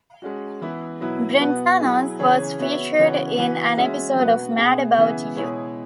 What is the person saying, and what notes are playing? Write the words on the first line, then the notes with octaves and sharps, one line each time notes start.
Brentano's was featured in an episode of "Mad About You".
G#3 C#4 F#4
E3 B3 E4
B2 F#3 E4 B4
B2 B3 F#4 B4
F#3 E4 G#4
C#3 E3 C#4 G#4 C#5
B3 F#4 C#5 E5
C#3 E3 B3 F#4 C#5
E3 B3 F#4 B4
G#3 C#4 F#4 E5
B2 B3 F#4 B4
B2 B3 G#4
C#3 E3 B3 G#4 E5
B2 G#3 E4 G#4 C#5